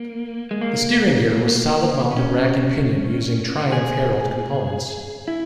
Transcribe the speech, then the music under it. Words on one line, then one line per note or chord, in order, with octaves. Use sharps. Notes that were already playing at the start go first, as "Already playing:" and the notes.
The steering gear was solid-mounted rack and pinion using Truimph Herald components.
Already playing: A#3
G#3
A#3
B3
C#4
G#4
E4